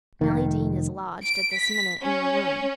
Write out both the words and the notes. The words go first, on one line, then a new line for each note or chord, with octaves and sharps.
Nelly Dean is lodged, at this minute, in your room.
F1 D#3
D7
B6
C#4